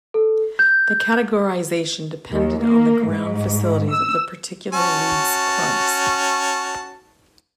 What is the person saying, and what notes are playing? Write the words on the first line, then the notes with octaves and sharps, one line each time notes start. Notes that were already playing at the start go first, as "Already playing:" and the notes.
The categorisation depended on the ground facilities of the particular league's clubs.
A4
G6
D#2
A#3
G#2
E6
C#4 F#4 A5